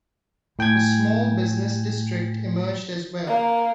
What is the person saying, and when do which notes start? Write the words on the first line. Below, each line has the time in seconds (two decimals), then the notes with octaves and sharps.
A small business district emerged as well.
0.59 A2 G5 G#5 G#6
3.28 A#3